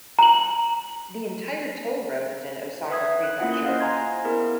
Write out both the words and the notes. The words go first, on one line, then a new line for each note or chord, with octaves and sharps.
The entire toll road is in Osaka Prefecture.
A#5 F#7
B4 E5 D#6 G#6
F#6
A#3 C#4 E4 F4 F#5
C5 D#5 F5
G#5 A#5 C6 G#6
B3 E4 G#4 A#4